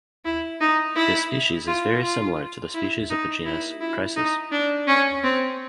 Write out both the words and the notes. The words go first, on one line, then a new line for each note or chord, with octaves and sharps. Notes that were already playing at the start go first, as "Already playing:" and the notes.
This species is very similar to the species of the genus Chrysis.
E4
D#4
E4
F4
F4
E4
D#4
E4
E4
D#4
D4
C#4
C4